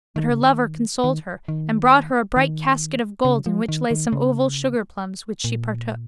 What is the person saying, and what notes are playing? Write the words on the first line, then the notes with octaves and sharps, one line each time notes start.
But her lover consoled her and brought her a bright casket of gold in which lay some oval sugarplums which she partook.
D#3
C#3
D#3
D#3
D#3
D#3
C#3
F3
D#3
D#3
C#3
A#2